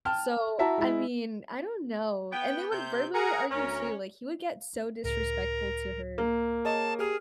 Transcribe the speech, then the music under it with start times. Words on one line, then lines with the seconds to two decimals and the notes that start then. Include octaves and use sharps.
so, I mean, I don't know, and they would verbally argue too, like, he would get so disrespectful to her,
0.05 G5 A5 F6
0.59 E4 F#4 E5 A5 A#5
0.78 G#3 E4
2.32 B3 G5
2.71 C3 G6
3.14 G#4 A#4 F#5 A#5
3.50 D2 C#4 A#4
5.04 C#2 A2 A#4
6.18 A#3
6.65 G#4 C#5 D#5 A5
6.99 G4 G#4 A#4 F6